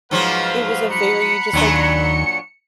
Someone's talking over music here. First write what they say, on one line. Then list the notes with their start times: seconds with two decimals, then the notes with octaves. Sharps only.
It was a very just, like,
0.11 G#2 F3 F#3 B4 F5
0.90 F#5 A#5 B5 C#7
1.53 D#2 A#2 F#3 D4